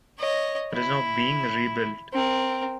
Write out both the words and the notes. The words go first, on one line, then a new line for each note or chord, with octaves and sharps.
It is now being rebuilt.
C#5 D#5
E4
C4 A#4